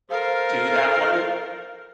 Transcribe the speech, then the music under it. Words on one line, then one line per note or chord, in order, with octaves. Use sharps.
do that one,
A4 A#4 C5 F5